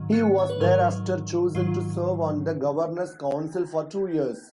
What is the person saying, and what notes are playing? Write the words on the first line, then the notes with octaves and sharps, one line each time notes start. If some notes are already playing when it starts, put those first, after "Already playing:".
He was thereafter chosen to serve on the Governor's Council for two years.
Already playing: G#2 D#3 F#3
B3
C#5
B4
G#2 D#3 F#3 A#4
G#2 D#3 F#3 F4